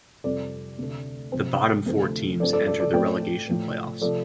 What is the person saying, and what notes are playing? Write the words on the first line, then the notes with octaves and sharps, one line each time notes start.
The bottom four teams enter the relegation playoffs.
F2 C3 G3 C4 A4 D5
D2 C3 A3
C2 C3 F3 C4
D2 C3 F3 A3 C4
G2 F3 A3 C4 A4 D5
A4 D5
A4 D5
A4 D5
A2 A3 C4 D5 G5
A2 F3 A3
C3 F3 A3 A4 D5